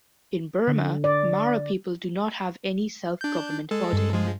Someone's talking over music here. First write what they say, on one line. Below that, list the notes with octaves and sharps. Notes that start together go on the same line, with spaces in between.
In Burma, Mara people do not have any self-government body.
D3
D5
D4 G6
G#3 A4
G2
F3 G#3